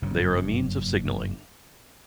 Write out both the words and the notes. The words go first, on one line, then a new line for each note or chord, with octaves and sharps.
They are a means of signaling.
F#1 G2 C#3